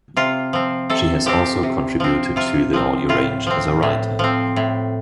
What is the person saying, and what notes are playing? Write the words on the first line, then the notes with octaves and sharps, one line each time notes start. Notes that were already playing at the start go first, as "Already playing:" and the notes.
She has also contributed to the audio range as a writer.
C3 F4
F3 C4
C3 A4
F3 C4 G4
C3
F3 C4
C3 F4
F3 C4
A2 F4
F3 C4
A2
F3 C4
A2